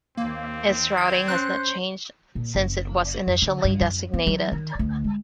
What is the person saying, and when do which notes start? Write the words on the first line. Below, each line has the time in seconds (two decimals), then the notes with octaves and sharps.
Its routing has not changed since it was initially designated.
0.17 D#2 A#3 C4
0.97 G#6
1.28 C#4 C5 C#5 F#6
2.35 A#2
2.55 F#1
3.27 F2
3.42 D3
3.64 G2
3.80 F#2
4.14 B3
4.27 F#3
4.52 D#3
4.79 D2
5.04 G#3